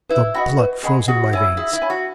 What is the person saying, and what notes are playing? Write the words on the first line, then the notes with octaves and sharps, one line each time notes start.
The blood froze in my veins.
E4 B4
F#4 D#5 F#5 B5
B4
G#4 D#5 F#5 B5
F#4 G#4
E4 C#5 G#5 B5
E4 G#4
E4
C#5 G#5 B5
F#4